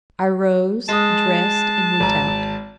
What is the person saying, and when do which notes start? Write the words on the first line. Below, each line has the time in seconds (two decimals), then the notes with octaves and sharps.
I rose, dressed, and went out.
0.89 G#3 A5 D#6
2.00 G#1 A#5